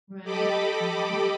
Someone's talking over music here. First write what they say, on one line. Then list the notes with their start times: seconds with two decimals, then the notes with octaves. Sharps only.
Right. Mhm.
0.23 G4 A4 D#5 B5 D6